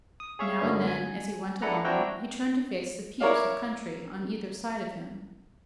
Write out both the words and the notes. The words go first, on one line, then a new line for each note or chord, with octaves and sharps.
Now and then as he went along he turned to face the peeps of country on either side of him.
D#6
G#4 C#5 E5 F5
G1 F#2 D3 B3 C#4
G#5
D4 E4 A4 B4 F#5 A#5
C4 D4 E4 F#4 G5 A#5
E4 A#4 C#5 D5 F5